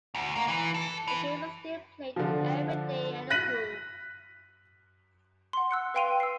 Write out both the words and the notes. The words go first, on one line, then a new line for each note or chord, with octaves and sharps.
The game is still played every day at the school.
D2
A#3
E3
A4
E3
D3 F3
F#6 A#6 B6 D#7 F#7
F#5 C6
E6 F#6 C#7
B4 F5 G5 C6 D#7 F7
E6 C7